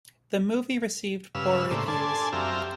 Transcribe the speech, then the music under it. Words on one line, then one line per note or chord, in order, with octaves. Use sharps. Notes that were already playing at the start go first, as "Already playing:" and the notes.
The movie received poor reviews.
G2 C#3 B4 F5 E6
A2 C#3 A#3 D4 C5
D4 A4 G#5 A5 C6
F#2 C4 G4 E5 F5 A#5